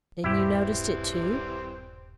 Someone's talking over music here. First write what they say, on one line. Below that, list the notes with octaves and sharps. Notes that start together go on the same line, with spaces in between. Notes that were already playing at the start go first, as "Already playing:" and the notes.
'Then you noticed it too?'
D#1 G2 B2 E3 G3 C4 E4 G4